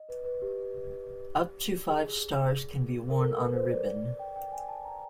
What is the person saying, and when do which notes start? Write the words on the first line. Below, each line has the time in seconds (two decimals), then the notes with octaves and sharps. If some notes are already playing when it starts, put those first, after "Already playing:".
Up to five stars can be worn on a ribbon.
Already playing: D#5
0.09 B4
0.25 B4
0.42 G4
1.89 G#4
3.10 A#4
3.20 A4
3.38 B4
3.53 C5
3.70 D5
3.86 D5
4.19 G5
4.36 G5
4.52 G#5
4.69 A5
4.85 A#5